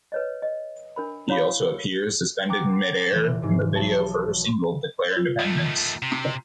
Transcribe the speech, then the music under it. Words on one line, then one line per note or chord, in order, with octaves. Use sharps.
He also appears, suspended in mid-air, in the video for her single Declare Independence.
B4 C#5 D#5
D#5
D4 A#4 B5
E4 C#5 F5 B5 D6
A#4
F#5 G5 A#5 D6
F1 E3
G#2 C3
B1 A5
F4
D#3 A3
C3